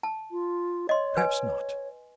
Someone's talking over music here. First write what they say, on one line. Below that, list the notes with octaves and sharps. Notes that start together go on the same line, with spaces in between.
Perhaps not.
A5
F4
C#5 D#5 C6
B4 G#5